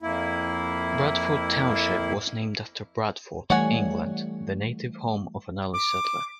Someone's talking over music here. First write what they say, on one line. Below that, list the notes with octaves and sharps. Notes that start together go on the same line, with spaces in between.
Bradford Township was named after Bradford, England, the native home of an early settler.
F2 A#3 E4
E3 G3 A3 C#5 F#5 G#5
D6